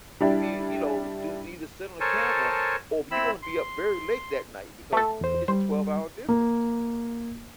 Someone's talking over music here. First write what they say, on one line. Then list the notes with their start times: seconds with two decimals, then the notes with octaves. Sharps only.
to be, you know, to either sit on the camera, or b you're gonna be up very late that night because it's a twelve-hour difference-
0.20 G3 D4 E4 G4
2.00 A4 A#4 C5 C#5 G#5 A5
3.11 C4 E4 B5 E6
3.43 C6
4.93 A3 A4
5.21 E2 C5
5.48 G3 C5
6.29 A#3